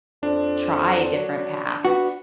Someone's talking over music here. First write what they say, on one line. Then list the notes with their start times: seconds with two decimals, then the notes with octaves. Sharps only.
try different paths.
0.23 F2 D4
1.15 F#3
1.85 B3 F#4